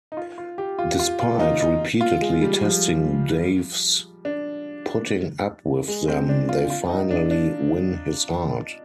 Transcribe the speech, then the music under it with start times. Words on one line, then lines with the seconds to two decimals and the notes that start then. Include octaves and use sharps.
Despite repeatedly testing Dave's putting up with them, they finally win his heart.
0.12 D#4
0.17 F4
0.38 F4
0.58 G4
0.79 F4
0.99 F4
1.20 F4
1.39 D#4
1.60 D#4
2.01 F4
2.21 G#3
2.42 G3
2.63 F3
4.25 D4
5.88 G#3
6.08 C4
6.29 D4
6.49 F4
6.70 F4
6.89 D#4
7.11 D4
7.31 D4